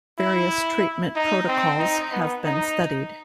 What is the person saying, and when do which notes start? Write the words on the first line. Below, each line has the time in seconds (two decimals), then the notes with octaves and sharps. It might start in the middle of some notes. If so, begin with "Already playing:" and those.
Various treatment protocols have been studied.
0.19 E4
1.16 D#4
1.48 C4
1.79 D#4
2.12 B3
2.44 D#4